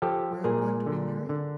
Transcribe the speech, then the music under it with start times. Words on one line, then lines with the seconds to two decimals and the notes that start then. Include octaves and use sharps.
"Where I am going to be married?"
0.02 F3 G4 A4
0.44 A#2 G#4 A#4
0.86 D3
1.29 D3